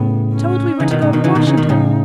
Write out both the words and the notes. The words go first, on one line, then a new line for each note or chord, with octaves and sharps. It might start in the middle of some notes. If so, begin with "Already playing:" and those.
Told we were to go to Washington.
Already playing: A2 C#3 B3
C#4
C#3 E3 D#4
B2 D#3
A2 C#3
B2 D#3
C#3 E3
B2 D#3
C#3 E3
B2 D#3
A2 C#3